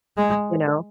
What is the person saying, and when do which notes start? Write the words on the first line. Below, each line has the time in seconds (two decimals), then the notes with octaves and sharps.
You know?
0.17 G#3